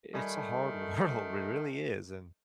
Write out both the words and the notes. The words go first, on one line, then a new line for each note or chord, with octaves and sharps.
it's a hard world. It really is, and,
D#3 G3 A3 G#5 B5